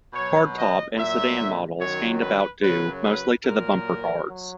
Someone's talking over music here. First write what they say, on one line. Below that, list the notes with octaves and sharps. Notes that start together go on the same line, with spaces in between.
Hardtop and sedan models gained about due mostly to the bumper guards.
B2 F#3 C#5
D#5
A#2 F#3 E5
F#2 D#3 F#3 C#5
B4
F#2 C#3 F#3 B4
B4
A#2 F#3 A#4
F#3